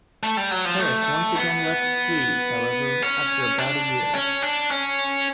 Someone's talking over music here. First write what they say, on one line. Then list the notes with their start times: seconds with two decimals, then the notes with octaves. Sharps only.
Carrack once again left Squeeze, however, after about a year.
0.23 A3
0.37 G3
0.51 F#3
0.65 F3
0.79 A3
1.35 B3
3.02 C#4
3.58 D4
4.15 C#4
4.42 D4
4.71 C#4